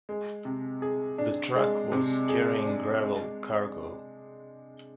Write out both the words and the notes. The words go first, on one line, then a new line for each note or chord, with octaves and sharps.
The truck was carrying gravel cargo.
G#3
C3
G#4
D4
G#3
C3
G#4
D4
G#3